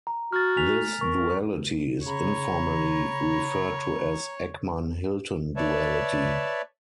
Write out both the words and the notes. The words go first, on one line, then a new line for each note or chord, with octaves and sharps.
This duality is informally referred to as Eckmann-Hilton duality.
A#5
F#4 F6 A6
G#5 B6 F7
A#4 C#6
C#3 C#5 A#5 B5
B4 C#5 D5 E5 A5